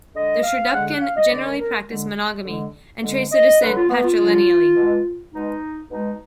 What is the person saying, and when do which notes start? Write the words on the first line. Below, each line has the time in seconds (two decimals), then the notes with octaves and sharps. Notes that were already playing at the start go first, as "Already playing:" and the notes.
The Sherdukpen generally practice monogamy and trace their descent patrilineally.
0.15 D3 G#3 D#5
0.43 F5
0.73 D3 G#3 F#5
0.87 F#5
1.01 F5
1.16 D#5
1.30 D3 G#3 D5
1.45 A#4
1.59 A#4
1.88 D3 G#3
2.45 D3 G#3
3.03 D3 G#3
3.32 D#5
3.61 D3 F#3 B4
3.75 F4
3.89 B3
4.04 F4
4.17 D3 F#3
4.76 B2 G#3
5.33 B2 G#3 D#4
5.91 B2 G#3 D#4